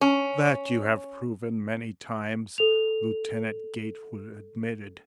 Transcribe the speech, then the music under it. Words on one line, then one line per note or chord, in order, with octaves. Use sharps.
"That you have proven many times," Lieutenant Gatewood admitted.
C#4
A4 F7